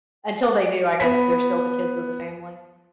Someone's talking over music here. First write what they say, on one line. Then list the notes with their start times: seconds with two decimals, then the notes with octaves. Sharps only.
until they do, I guess they're still the kids of the family.
1.00 B3 B6